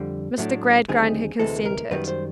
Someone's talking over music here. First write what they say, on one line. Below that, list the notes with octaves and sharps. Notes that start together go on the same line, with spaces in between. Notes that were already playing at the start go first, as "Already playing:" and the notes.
Mr. Gradgrind had consented.
Already playing: F2 D3 G3 G4
A2 F#3 A3 D4
D#2 D3 G3 C4 D#4 G#4
D2 C3 E3 G#3 A4
A#4
F#2 D#3 G3 B4
C5